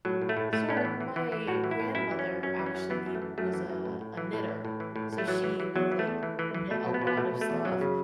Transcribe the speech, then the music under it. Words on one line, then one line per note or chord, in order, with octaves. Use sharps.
So, my grandmother actually was a a knitter, so she would, like, knit a lot of stuff,
A2 F#3
A2
A3
A2
A2 A3
A2 C#4
B3
E3
E3
E3
E3
A2 F#4
E3
E4
A2
F#2 E4
E3
C#4
F#2
F#2 C#4
E3
C#4
F#2
E3 B3
F#2
A3
E3
F#2 A3
E3
F#2
A2
A2
E3
A2
E3
A2
E3
A2
A2
A3
E3 F#3
E3
E3
E2 F#3
E3
A3
E2
E3
E3
E3
B2 A3
B2
B3
B2
B3
B2 A3
B2
A3
E2
F#2 F#3
C#3